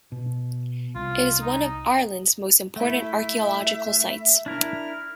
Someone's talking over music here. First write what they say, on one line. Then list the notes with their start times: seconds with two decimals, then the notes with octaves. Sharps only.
It is one of Ireland's most important archaeological sites.
0.12 B2
0.95 C2 F4
1.42 D#4
2.76 A3 E4 E5
4.46 D4 E4 A#4 F6